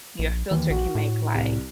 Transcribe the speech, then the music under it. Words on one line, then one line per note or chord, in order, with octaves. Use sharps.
your filter can make, like,
A#1
D#2 E3
A#1 F#4
A2
C2